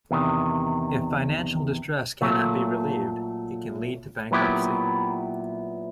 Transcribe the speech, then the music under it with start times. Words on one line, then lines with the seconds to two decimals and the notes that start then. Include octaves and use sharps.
If financial distress cannot be relieved, it can lead to bankruptcy.
0.11 E2 C3 D#3
2.21 A#2 F#3 A3
4.31 A#2 F#3 B3 E4 G4